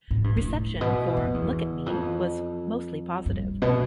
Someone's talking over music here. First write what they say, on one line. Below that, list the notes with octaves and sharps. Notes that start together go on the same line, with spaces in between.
Reception for "Look at Me" was mostly positive.
A2
G2
A2
B2
F2
E2
F2
G2
B2